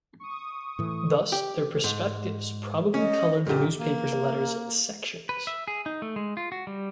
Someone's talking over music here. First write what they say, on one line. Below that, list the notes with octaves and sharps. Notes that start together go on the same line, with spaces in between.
Thus, their perspectives probably colored the newspapers' letters sections.
C#6 D#6
A2 E3
G4
G#2
C#4 D#5
F#2 A#2 G4
A#3
B4
E5
G#4
D#4
A3
G#3
F4
F#4
G3